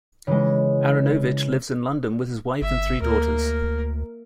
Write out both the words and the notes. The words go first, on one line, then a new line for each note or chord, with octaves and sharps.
Aaronovitch lives in London with his wife and three daughters.
C#3 E3 G#3
G1 E5
D2 A#3 A#4